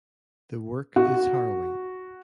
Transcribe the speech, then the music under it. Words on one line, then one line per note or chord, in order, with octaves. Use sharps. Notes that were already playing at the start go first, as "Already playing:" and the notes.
The work is harrowing.
F#4